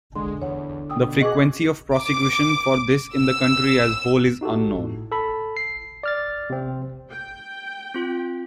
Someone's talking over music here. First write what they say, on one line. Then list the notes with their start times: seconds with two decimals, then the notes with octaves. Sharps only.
The frequency of prosecutions for this in the country as whole is unknown.
0.15 D3 G#3 C6
0.42 E2 C#5 F#5
0.90 B2 G5 D#6 E6
1.21 F#4 G#4 D#5 C#6 D6 F#6
1.95 D6
3.14 E6
4.41 D#4 F#4 G4 A4
4.78 A2
5.12 A4 B5
5.57 C7
6.03 D5 F6 A6
6.50 C3 C4
7.10 G5
7.94 C4 F4